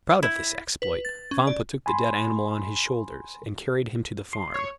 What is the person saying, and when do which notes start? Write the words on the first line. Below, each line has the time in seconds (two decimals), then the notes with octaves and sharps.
Proud of this exploit, Vampa took the dead animal on his shoulders, and carried him to the farm.
0.23 E4
0.82 B4
1.05 A6
1.31 C#4
1.47 D5
1.86 G#5 B5 C6
4.33 C6
4.54 C#5